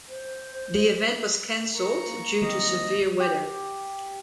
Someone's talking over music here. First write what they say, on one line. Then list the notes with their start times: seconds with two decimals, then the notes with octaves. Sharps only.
The event was cancelled due to severe weather.
0.09 C5
1.75 A#4 A#5 C#6
2.06 A#3
2.42 D#3 G3 A#3 C4 D#5
3.20 G4